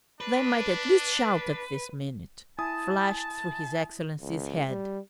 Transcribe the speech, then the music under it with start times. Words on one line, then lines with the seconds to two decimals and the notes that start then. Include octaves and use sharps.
"They might at least shout at this minute!" flashed through his Excellency's head.
0.21 D4 B4
2.59 E4 G#5 A5 D#6
4.21 C#2
4.69 G3